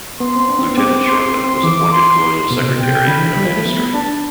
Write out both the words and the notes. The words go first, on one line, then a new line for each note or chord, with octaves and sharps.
Lieutenant Shortland was appointed colonial secretary and a magistrate.
B3 C6
C4
D4
C4
B3
C4 D6
C6
C4 C6
E3 D6
C6
B2
C3
B2
C3 G5
D3 B5
E3
G3
F3
A3
B3
D4 A5